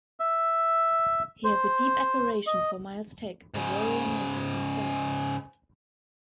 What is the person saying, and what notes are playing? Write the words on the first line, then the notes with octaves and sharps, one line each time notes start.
He has a deep admiration for Miles Teg, a warrior-Mentat himself.
E5
C5
D#5
G#2 C#3